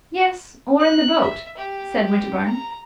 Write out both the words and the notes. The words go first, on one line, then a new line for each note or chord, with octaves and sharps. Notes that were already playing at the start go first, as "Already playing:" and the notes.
"Yes, or in the boat," said Winterbourne.
F#6
E5
G4
A#5